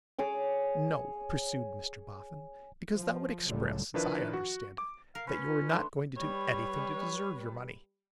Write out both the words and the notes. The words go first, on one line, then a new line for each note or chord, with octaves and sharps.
'No,' pursued Mr Boffin; 'because that would express, as I understand it, that you were not going to do anything to deserve your money.
G#4 C#5 D6
F3
C#2 A2 D3 F#3 G3 A3
D#3 F3 D4 E4 A#4 B4
F#4
D6
A#4 F5
C#4 B4 B5
F4
D#3 A3 B3 D4 C6
G3 B4 C#5